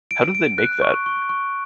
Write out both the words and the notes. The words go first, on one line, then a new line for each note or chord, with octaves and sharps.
How did they make that?
D7
D7
F#6
C#6
C#6
C#6